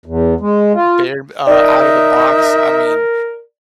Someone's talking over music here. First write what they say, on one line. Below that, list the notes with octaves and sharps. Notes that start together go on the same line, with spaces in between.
B Bear, uh, Out of the Box. I mean,
E2
G#3
F4
D#4 A#4 D5 E5